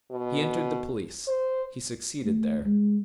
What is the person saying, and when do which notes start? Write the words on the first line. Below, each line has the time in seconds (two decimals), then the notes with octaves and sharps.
He entered the police; he succeeded there.
0.11 B2
1.28 C5
2.24 A3
2.65 G#3